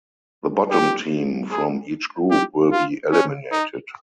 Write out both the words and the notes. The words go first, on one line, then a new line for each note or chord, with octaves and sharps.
The bottom team from each group will be eliminated.
G4
G#4
G4
F4
C#4
D#4